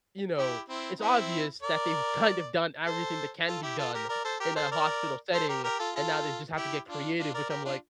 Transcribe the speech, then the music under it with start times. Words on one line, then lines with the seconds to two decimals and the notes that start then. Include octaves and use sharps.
you know, it's obvious that they've kind of done everything that can be done in a hospital setting, and now they've just had to get creative, which I'm like,
0.38 E4 G4
0.69 C4 E4
1.00 C4 E4
1.62 A#4 D5
2.86 A4 C5
3.48 F4 A4
3.63 E4 G4
3.79 F4 A4
3.94 G4 A#4
4.09 A#4 D5
4.25 A4 C5
4.40 G4 A#4
4.56 A4 C5
4.72 A#4 D5
5.33 A4 C5
5.49 G4 A#4
5.64 G4 A#4
5.79 F4 A4
5.95 F4 A4
6.57 E4 G4
6.88 D4 F4
7.19 D4 F4
7.34 A#4 D5
7.49 G4 A#4
7.65 D4 F4